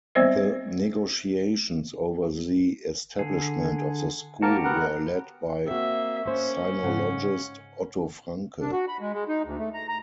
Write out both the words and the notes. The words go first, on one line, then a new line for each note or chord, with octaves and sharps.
The negotiations over the establishment of the school were led by sinologist Otto Franke.
G3 B3 C4 C5 D5 E5
D3 G#4
A#3 F#4 G4 A#4 A5
B3 A#4 F#5
A#3 C4 F#4 E5
A#3 C#4 C5
G#2 C#3 F#5
D4
F#4
B5
G#3
G#3
D#4
D2
A3
A#5
A#5